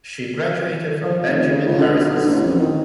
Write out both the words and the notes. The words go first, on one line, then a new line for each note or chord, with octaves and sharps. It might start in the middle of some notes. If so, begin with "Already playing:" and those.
She graduated from Benjamin Harrison School.
F3
F1
C#3
C#2
D3
B1
D3
A1
F2
D#3